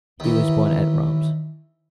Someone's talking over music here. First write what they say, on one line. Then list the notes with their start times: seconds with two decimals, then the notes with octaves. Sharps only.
He was born at Reims.
0.20 D#2 E3